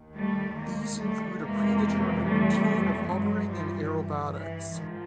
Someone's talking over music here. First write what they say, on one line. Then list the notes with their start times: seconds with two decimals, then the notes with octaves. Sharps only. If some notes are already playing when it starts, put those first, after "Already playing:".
These include a predetermined routine of hovering and aerobatics.
Already playing: D#2 D#3
0.16 G3 A3
0.58 G#3 A#3
0.99 G3 A3
1.41 F2 C3 E3 G#3 A#3
2.24 G3 A3
3.07 G2 E3 F#3 G#3
3.49 F3 G3
4.33 E3
4.74 G#2 D#3 F3